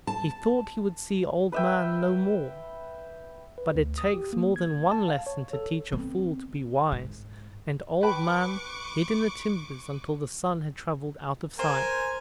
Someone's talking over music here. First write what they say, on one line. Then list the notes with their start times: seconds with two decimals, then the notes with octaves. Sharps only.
He thought he would see OLD-man no more, but it takes more than one lesson to teach a fool to be wise, and OLD-man hid in the timber until the Sun had travelled out of sight.
0.07 A5
1.52 B4 E5 G5
3.58 B4
3.75 D2
3.98 D#6
4.14 G4
4.33 A#3
4.56 G#6
4.91 A5
5.08 F5
5.27 C#5
5.53 A4
5.92 B3 C4
6.92 G#2
8.03 B4 G5 A5 B5 C#6 D6
11.59 A#4 C5 G#5